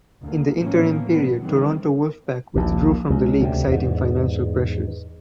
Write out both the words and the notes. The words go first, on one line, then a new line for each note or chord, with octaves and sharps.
In the interim period Toronto Wolfpack withdrew from the league citing financial pressures.
D2 A#3
A2 E3 F3 A#3 B3 C#4
D3 B3
D#3 E3 G3 C4
A#1 D#2
C#2
D2 C3
E2 G#2